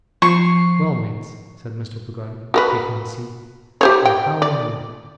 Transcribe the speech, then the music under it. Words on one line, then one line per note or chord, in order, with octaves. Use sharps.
'Well, Mates,' said Mr. Peggotty, taking his seat, 'and how are you?'
F3 C#6 C7
F#4 A#4 B4
G4 C5 C#5
G5
D5